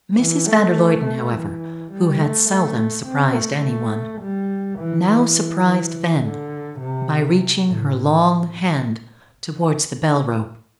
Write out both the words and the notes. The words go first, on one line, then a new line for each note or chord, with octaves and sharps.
Mrs. van der Luyden, however, who had seldom surprised any one, now surprised them by reaching her long hand toward the bell-rope.
E3
A3
A3
E3
G3
A3
A3
C4
A3
A3
G3
E3
E3
E3
D3
C3
A2